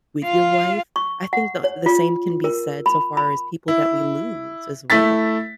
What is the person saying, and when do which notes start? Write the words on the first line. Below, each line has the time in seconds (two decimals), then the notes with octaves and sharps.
with your wife. I think the the same can be said so far as people that we lose as well.
0.23 F4 F5
0.96 C#6
1.33 F#5
1.64 C#5
1.86 F4
2.44 A#4
2.86 B5
3.17 B5
3.68 E4
4.90 A3 E4 A6 B6